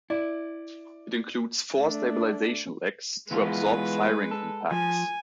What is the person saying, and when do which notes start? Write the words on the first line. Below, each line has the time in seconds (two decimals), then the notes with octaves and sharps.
It includes four stabilization legs to absorb firing impacts.
0.10 E4 D5
1.77 A3 D4
3.31 E3 G#3 B3 F4 B4
4.31 A4
4.71 F3 G#5